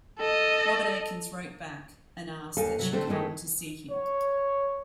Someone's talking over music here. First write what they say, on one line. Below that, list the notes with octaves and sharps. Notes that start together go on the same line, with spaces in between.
Robert Atkins wrote back and asked that she come to see him.
A4 D#5
D#2 A4 F5 G#5
C3 F#3
D3 A3 C4 A4 C5
D#3 G#3 A3 C4 E4
C#5